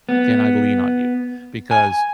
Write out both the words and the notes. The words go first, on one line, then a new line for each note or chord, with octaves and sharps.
Can I lean on you? Because
B3
G#5